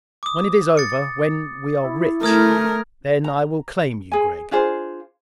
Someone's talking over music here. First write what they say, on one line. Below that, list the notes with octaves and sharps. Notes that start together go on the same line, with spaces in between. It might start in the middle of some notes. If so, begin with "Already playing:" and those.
"When it is over--when we are rich--then I will claim you, Gregg."
D6 D#6
A6 C#7
E4
A3 A#4 D#6 F6 G#6
A#5
G#4 G#5
D4 F4 G#4 C5